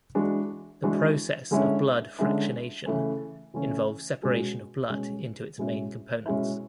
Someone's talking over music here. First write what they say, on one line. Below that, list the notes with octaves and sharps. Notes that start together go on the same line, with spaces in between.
The process of blood fractionation involves separation of blood into its main components.
E3 G#3 D4 F#4
E3 G#3 D4 F#4
D3 G#3 C#4 E4
D3 G#3 C#4 E4
C#3 E3 A3 C#4
C#3 E3 A3 C#4
B2 G#3 C#4 F#4
B2 G#3 C#4 F#4
B2 G#3 C#4 E4
B2 G#3 C#4 E4